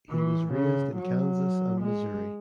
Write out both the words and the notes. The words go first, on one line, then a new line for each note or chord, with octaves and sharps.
He was raised in Kansas and Missouri.
E3
C#3
F#3
G#3